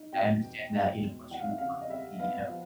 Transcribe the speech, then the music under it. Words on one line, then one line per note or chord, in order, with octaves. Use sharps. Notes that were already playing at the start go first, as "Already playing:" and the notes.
I understand that, you know, most people aren't really, you know,
Already playing: D#4
B2 G5
E2
G#3
E2
E3 F#5
F5
E5
C#3 F5
D#5
G3 E5
B3 F5
F3